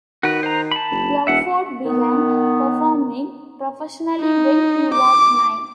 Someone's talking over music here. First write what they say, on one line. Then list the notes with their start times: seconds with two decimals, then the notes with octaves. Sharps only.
Beauford began performing professionally when he was nine.
0.23 D#3 F#4 B4
0.43 C5 A#5
0.72 A5 B5
0.91 F#1
1.27 E1 E5 F#5
1.84 D#3 B3
4.21 D#4
4.93 D6